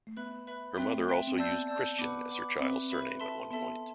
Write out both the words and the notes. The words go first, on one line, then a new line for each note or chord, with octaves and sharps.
Her mother also used Christian as her child's surname at one point.
A3
B3 B4 E5 B5 F#6
B4 E5 B5 F#6
C4 E5 G5 C6 F#6
A3
E5 G5 C6 F#6
C4
B3 D5 A5 E6 G6
D5 A5 E6 G6
B3 B4 F#5 B5 D6
B4 F#5 B5 D6
C4 B4 E5 B5
B4 E5 B5
A4 E5 A5 C6
B3 A4 E5 A5 C6